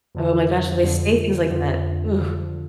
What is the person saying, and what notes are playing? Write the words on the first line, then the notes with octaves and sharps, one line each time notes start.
Oh my gosh, when they say things like that, ooh.
F2 D3 F3
F2 D3 F3
F2 D3 F3
F2 D3 F3